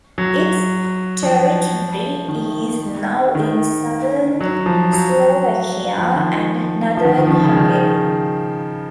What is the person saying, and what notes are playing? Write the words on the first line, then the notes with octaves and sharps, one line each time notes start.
Its territory is now in southern Slovakia and northern Hungary.
F#3
F3
D#3
D#3
F#3
F3
F#3
F3
D#3
F3
F3
D#3
D#3
F3
D#3
C#3
D#3